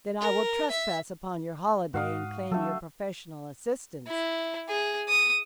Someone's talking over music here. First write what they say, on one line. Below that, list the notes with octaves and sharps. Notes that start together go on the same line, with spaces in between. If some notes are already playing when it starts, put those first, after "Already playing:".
"Then I will trespass upon your holiday and claim your professional assistance."
A#4
E5
G#2 F#4 F5 D#6
F#3 A3 D4 A4
E4
G#4
D#6